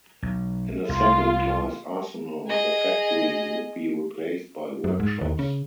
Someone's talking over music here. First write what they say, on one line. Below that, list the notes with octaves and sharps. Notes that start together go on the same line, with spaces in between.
In a second-class arsenal, the factories would be replaced by workshops.
B1
C2 F4
G#4 D#5
F#2
G#2
D#2
C#3